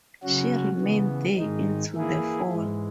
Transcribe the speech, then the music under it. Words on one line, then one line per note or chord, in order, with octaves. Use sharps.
She remained there into the fall.
C#3 F#3 C#4 F#4
C#3 E3 B3
G#2 D#3 G#3 D#4
E3 A#3 E4 G#4
G#2 E3 G#3